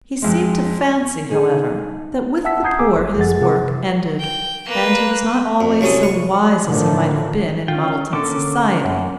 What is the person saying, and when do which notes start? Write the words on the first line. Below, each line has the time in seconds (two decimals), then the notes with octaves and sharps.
He seemed to fancy, however, that with the poor his work ended, and he was not always so wise as he might have been in Muddleton society.
0.22 F2 G#3
1.30 D#4 G#4 A4
2.44 E5 F#5 A5 E6 B6
2.63 F#5 A#5 D#6 G6 G#6 C7
2.79 G#4 G#5 D6 E6
2.97 G1
3.16 F#2 F3 G#4 A4 F#5 A6
3.41 C3 G#4 A#4 F#5 D6
4.19 G5
4.66 A#3 B4
5.61 F2
5.81 C2 F#3 C#4 A4 D#6
6.03 C#5
6.65 A2 D3 D#3 F3 A3
7.68 C#4 F4 G5
8.13 D3 A#3 C#4 A4 D6
8.84 F#2